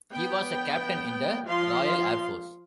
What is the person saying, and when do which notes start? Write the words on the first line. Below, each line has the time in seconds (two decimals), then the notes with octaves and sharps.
He was a captain in the Royal Air Force.
0.12 B3 G5
1.45 F3 F5 C6